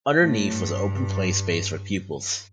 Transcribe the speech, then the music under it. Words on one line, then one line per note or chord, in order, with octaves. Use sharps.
Underneath was open play space for pupils.
A2
G2